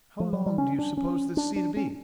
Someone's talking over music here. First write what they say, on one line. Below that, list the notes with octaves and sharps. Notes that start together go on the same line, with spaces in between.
"How long do you suppose this sea to be?"
F3
F#3
G3
C#4
D4
C#4
D4
D4
C#4